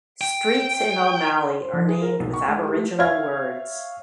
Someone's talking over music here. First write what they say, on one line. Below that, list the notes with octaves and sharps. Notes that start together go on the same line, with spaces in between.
Streets in O'Malley are named with Aboriginal words.
G5
C5
F3
G#4
A#4
B1
C#6
G#3
G4
A3
C#5 E5 F5 F6 G#6